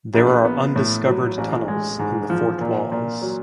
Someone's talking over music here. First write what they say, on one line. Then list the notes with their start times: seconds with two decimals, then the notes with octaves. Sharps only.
There are undiscovered tunnels in the fort walls.
0.14 A#1
0.45 B3
0.76 A2
1.06 F#3
1.38 A1
1.68 G#3
1.99 G#2
2.30 F3
2.61 A#2
2.92 A#2
3.22 F#3